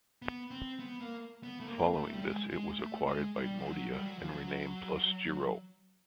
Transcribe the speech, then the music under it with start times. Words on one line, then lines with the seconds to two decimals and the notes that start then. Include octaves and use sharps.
Following this it was acquired by Nordea and renamed PlusGirot.
0.22 B3
0.51 C4
0.79 B3
1.01 A#3
1.43 B3
1.60 A3
1.65 A#3
1.93 A3
2.13 G3
2.21 G#3
2.50 G#3
2.79 A3
3.07 G#3
3.36 G3
3.59 F3
3.65 F#3
3.93 G3
4.05 F#3
4.18 F3
4.31 F#3